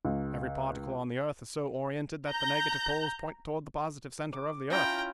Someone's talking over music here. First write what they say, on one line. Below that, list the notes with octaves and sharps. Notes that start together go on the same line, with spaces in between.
Every particle on the earth is so oriented that the negative poles point toward the positive center of the earth.
C#2
A#5 G6
D6
C#4 E4 F4 G5 A#5